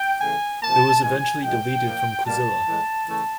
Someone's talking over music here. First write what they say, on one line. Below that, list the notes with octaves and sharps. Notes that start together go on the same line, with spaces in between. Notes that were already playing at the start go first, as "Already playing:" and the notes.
It was eventually deleted from Quizilla.
Already playing: G5
C#3 E3 A3 G#5
C3 F3 A#3 A5
C3 E3 G#3 G#5
G#2 F3 G#3 G5
A#2 F3 A#3
B2 G3 A#3 A5
A2 E3 G#3
C#3 E3 A3